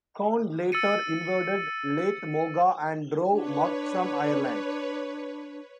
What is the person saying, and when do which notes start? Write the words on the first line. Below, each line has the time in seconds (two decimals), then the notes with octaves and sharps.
Conn later invaded Leth Moga and drove Mug from Ireland.
0.72 E6 A6 C#7 D#7
3.31 D4 B4 C#5